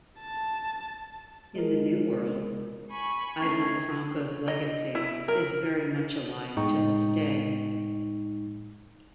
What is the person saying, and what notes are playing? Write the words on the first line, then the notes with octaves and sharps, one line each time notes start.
In the new world, Ivan Franko's legacy is very much alive to this day.
A5
G#3 A#4
G#5 B5 C#6
A3 C#4 D#4 C#6 G#6 C7
D#5
E4
A#4
A2 G#3 D#4 G5 C#6